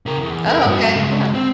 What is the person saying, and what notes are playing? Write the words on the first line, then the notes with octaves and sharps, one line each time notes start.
Oh, okay, yeah.
C#3 A#4
E2
A#4 B4
G2 F#4
C#2
C4